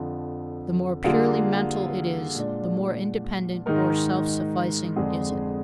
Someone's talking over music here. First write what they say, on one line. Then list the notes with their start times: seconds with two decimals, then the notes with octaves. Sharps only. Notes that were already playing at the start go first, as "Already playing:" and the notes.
The more purely mental it is, the more independent or self-sufficing is it.
Already playing: F2 D3 F3
1.04 D3 G3 A#3 F4 G#4
2.35 A#2 G#3 D4
3.66 G#2 D#3 G#3 D#4 A#4
4.96 F2 D3 G#3 D4 G#4